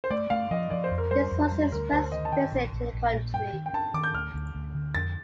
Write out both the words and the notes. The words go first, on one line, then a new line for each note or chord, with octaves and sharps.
This was his first visit to the country.
C5
A3 D5
A3 F5
F3 D#5
F3 D5
C5
F2
A#4
G3 C5
F2
G3
D2 A#4
D2 C5
D#3 D#5
A5
D#3 G5
A#1
A#1
A#1
A#2
G2 G5
D#3
G5
D4 A5
D#3 D6
G6
D2 F6
D2
D2
D3
F2 A6